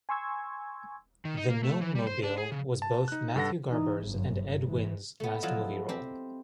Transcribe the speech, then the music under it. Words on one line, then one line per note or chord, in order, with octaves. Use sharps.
"The Gnome-Mobile" was both Matthew Garber's and Ed Wynn's last movie role.
G#5 C6 C#6 E6 G#6
D#3
D#4
A#3
A3
E3
G3
C5
D4
G#4
C#3
A5
D#4 F#6
G2 A4 F#5 A#6
E3 D#4
G1 F#2
G#2 E3
A3 B3
F3 F#3 E4 F4 D#5
C4 G4